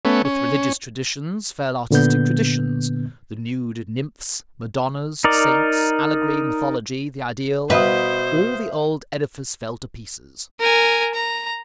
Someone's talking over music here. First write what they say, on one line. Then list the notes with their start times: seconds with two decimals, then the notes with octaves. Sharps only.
With religious traditions fell artistic traditions; the nude nymphs, Madonnas, saints, allegory, mythology, the ideal--all the old edifice fell to pieces.
0.05 A3 B3 C#4
0.25 C#4
1.91 A#2 D3 B3 G6
5.24 D#4 A#4 D5
7.70 B2 B4 C5 E5 F5 D#6
10.59 A#4 G#5
11.14 A#5